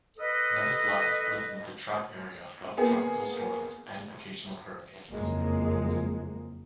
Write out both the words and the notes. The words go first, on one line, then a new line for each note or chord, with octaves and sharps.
Nevis lies within the track area of tropical storms and occasional hurricanes.
A4 B4 D#5
A#3 B3 G#4
F#1 F2 G#3 A#3